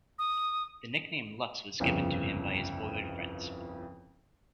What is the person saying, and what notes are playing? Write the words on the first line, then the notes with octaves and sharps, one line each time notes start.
The nickname "Lux" was given to him by his boyhood friends.
D#6
G1 C2 F2 C#3